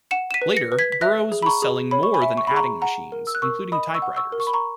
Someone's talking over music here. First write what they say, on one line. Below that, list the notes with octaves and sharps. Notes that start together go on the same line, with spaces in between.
Later, Burroughs was selling more than adding machines, including typewriters.
F#5 C#7 E7
E7
B6 D#7
B4
A#6 C#7
B4
G#6 B6
B6
E5 F#6 A#6
G#4
B5
A#5 C#6
G#4
C#5 B5
C#6
G#5 B5
E5
C#6
G#4 B5
A#5 C#6
F#5 A#5
A#4
E6
F#6
A#4 C#6 E6
D#5 B5 D#6
C#6 E6
F#5
C#6 E6
A#4
C#6
B5
A#5 C#6